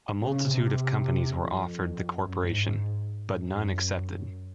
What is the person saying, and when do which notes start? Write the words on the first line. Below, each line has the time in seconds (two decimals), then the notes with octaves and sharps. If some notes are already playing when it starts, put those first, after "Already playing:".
A multitude of companies were offered the corporation, but none accepted.
0.21 C#3
0.49 C3
1.35 F2
2.19 F#2
2.48 G#2
3.33 F#2